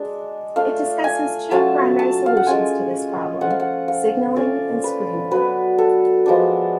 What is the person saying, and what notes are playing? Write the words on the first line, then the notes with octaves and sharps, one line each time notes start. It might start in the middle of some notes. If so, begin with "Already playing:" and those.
It discusses two primary solutions to this problem, signaling and screening.
Already playing: G#3 D4
A3 D4 F4 F5
G#5
F#3 A3 C#4 F4 A5
A5
F5
F#5
G#3 C#4 F4 G#5
F3 A3 C#4 F4 F#5
F5
F#5
F5
A3 C#4 F4 D5
B4
F#3 B3 D4 B4
A4
F3 G#3 B3 D4